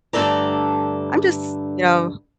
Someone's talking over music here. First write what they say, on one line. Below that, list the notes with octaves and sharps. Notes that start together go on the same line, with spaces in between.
I'm just, you know,
G2 D3 A3 A4 D5 A#5